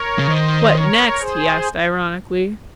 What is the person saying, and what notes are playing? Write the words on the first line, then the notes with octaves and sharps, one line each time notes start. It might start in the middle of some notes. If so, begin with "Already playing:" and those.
"What next?" he asked ironically.
Already playing: A#4 C#5
C#3
D#3 C5 D#5
A#4 C#5
G#4 C5